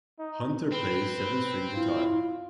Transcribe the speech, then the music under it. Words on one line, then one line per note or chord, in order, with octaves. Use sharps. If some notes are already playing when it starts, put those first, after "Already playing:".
Hunter plays seven-string guitar.
D#4
C4 B4
E4 F4